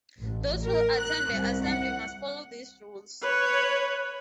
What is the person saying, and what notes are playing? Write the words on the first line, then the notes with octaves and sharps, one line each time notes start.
Those who attend the assembly must follow these rules.
A1
A#4
F#6
C2
F#5
B4 C#5